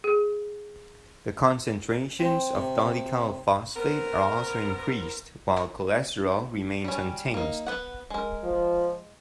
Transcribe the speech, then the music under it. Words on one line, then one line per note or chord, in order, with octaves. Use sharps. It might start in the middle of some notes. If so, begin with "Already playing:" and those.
The concentrations of dolichyl phosphate are also increased, while cholesterol remains unchanged.
G#4
C4
C3
B3 C4 A#4
G3 C#4
A#3 D#4
B3 F#5
G#3 A#4
F3